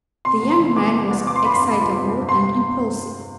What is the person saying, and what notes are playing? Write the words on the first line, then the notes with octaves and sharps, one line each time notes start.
The young man was excitable and impulsive.
C3 C6
E2
C6
E3
E2 D6
C3
E2
F2 D6
C6
G1 B5
C6
C3
F3
F2
G1
C3 C6